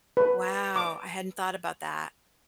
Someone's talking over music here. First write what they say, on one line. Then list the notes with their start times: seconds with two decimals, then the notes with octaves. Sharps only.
Wow, I hadn't thought about that.
0.17 B4
0.76 D6